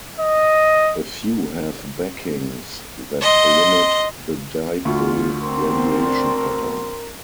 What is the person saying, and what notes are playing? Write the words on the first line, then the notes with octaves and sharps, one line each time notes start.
A few have backings that limit the dipole radiation pattern.
D#5
D#5 C6
D2 F4
C4 D4 A#4 C6